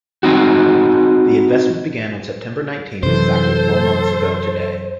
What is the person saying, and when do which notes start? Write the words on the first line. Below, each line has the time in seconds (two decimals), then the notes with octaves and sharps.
The investment began on September Nineteenth, exactly four months ago today.
0.23 C4 D#4 F#4
3.03 F#2 C3 E3 A4 C5